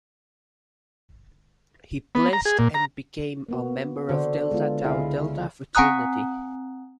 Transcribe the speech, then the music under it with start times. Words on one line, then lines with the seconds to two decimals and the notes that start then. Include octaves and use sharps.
He pledged and became a member of the Delta Tau Delta fraternity.
2.15 B3
2.33 A#5
2.45 G#4
2.59 A#2
2.74 A#5
3.49 A#3 B3 F#4
4.09 D3 D4 F#4 C5
4.51 G#3 B3 F4
4.84 C#2 E4 G#4 F5
5.75 C4 F#5 G#5 A#5 D#6 F#6